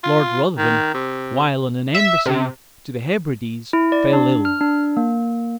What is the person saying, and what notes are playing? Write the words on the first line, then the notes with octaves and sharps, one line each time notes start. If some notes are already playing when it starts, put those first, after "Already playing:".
Lord Ruthven, while on an embassy to the Hebrides, fell ill.
F4
D#3
C3
E5
C3
E4
D5
D4
F6
D4
A#3